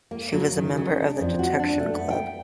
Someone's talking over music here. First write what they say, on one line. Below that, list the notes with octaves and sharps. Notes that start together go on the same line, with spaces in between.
She was a member of the Detection Club.
A#3
F#3
D#3
C#3
D4
F2
F#4
D4
A3
B3
G5